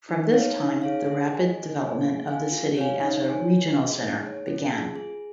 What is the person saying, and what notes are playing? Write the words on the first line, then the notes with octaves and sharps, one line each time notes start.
From this time the rapid development of the city as a regional center began.
D#4
C#5 F5
D#4
G#4 C#5 F5
G#4
D#5 G#5
G#4
C#5 G#5
G#4
F5 G#5
F4
C#5 F5 G#5
D#4
C#5 G#5
F4
G#4 F5
D#4
G#4 C#5
C#4
F4 G#4
G#4